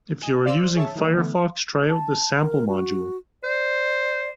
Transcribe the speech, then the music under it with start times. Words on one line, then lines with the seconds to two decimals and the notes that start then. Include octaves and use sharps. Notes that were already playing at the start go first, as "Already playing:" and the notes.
If you are using Firefox, try out this sample module.
0.22 D#5 G#5
0.45 C5 D5 F5 C6 E6
0.75 G#4 C#5 E5 A5
0.95 D#3 E3 G3 A#3
1.16 D3 E3 A3 B3
1.90 A5
2.40 A#4
2.68 F#4
3.44 C5 D5